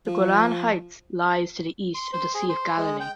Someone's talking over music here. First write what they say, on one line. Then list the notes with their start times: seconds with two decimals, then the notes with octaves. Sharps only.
The Golan Heights lies to the east of the Sea of Galilee.
0.07 F3
1.95 C6
2.13 C5
2.35 G#4
2.49 C5
2.78 G#3
3.00 G5